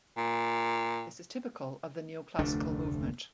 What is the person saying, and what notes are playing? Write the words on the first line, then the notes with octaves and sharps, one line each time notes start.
This is typical of the Neo-classical movement.
A#2
F1 D2 A3 D4